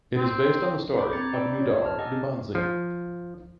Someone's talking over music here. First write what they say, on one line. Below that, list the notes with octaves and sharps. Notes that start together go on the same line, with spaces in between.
It is based on the story of Nodar Dumbadze.
C4
F#5 B5 D6 G6
C4 A#5 G#6 A6 C#7
G4 D5 G5 B5 E6
F4 C#5
A5 A#5 F6
G4 D#5 F#5 G#5 E6 A6
F3